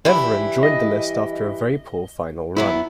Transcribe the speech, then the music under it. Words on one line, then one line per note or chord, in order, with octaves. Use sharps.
Beveren joined the list after a very poor final run.
E3 G3 E4
D#5
E2 F#3 B3 E4